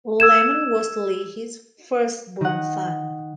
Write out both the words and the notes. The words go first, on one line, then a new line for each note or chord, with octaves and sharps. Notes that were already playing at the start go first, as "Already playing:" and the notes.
Laman was Lehi's first-born son.
E6 G#6 E7
D#3 F#5